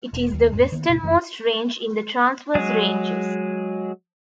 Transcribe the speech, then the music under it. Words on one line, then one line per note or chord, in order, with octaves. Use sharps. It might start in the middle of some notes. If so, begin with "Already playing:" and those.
It is the westernmost range in the Transverse Ranges.
E1
D#2
E2 G#2 G#3 A3
D#3 A#3 B3
D2 G2 B2
F1 F#2 E3 A3
F#3 G#3 G#4